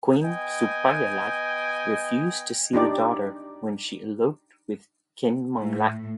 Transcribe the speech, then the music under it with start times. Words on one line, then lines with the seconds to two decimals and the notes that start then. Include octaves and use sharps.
Queen Supayalat refused to see the daughter when she eloped with Khin Maung Lat.
0.22 B3 D#5 G5 G#5
2.73 D4 D#4 G4 D5
5.56 A2